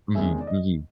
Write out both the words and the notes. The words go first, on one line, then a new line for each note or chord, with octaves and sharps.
Mhm, mhm.
E2 C3 D#3 G#3 C#4 E5
D5
D#5